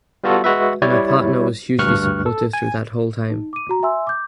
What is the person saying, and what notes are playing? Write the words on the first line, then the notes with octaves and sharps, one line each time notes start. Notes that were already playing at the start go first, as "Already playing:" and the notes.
And my partner was hugely supportive through that whole time.
G3 B3 F4 F#4 A4
G#3 F#4 B4 E5
G3 E4 C#5 D5
D2 G2 C#6 F6 F#6
A4
G#5
D#4
D6 D#7
F#4 A#5
E5 G#5 C6 E6
D6 G6